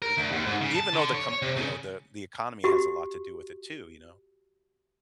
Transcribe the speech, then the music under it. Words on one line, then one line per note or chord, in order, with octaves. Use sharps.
you know, even though the com you know, the the economy has a lot to do with it too, you know.
A#4
D2
D#2
G#2
C#3
A5
D3
C#5
C#5
C3
C#3
F#4 G4